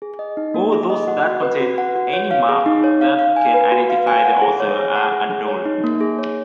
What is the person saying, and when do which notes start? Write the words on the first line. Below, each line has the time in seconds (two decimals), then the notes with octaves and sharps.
All those that contain any mark that can identify the author are annulled.
0.02 G#4
0.19 D#5
0.37 D#4
0.54 A#3
0.72 G#4
0.90 D#5
1.08 F#5
1.25 F#4
1.42 B4
1.60 F#4
1.78 F#5
1.96 F#4
2.13 C#5
2.31 F5
2.49 G#4
2.66 D#4
2.84 C#5
3.01 F5
3.19 F5
3.36 G#5
3.54 B4
3.72 F#4
3.90 F5
4.07 G#5
4.25 F#5
4.42 G#4
4.60 C#5
4.78 G#4
4.95 F#5
5.12 G#4
5.30 G#4
5.48 C#5
5.65 D#4
5.84 A#3
6.01 G#4
6.19 C#5